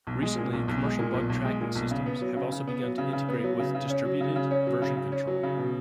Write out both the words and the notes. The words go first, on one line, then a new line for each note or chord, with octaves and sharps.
Recently, commercial bug tracking systems have also begun to integrate with distributed version control.
B1
G#3
A#2
B1
B1
G#3
A#2
B1
B1
G#3
A#2
B1
C#3
B3
F#3
C#3
C#3
B3
F#3
C#3
C#3
B3
F#3
C#3
C#3
C#4
F#3
C#3
C#3
C#4
F#3
C#3
C#3
C#4
F#3
C#3
B2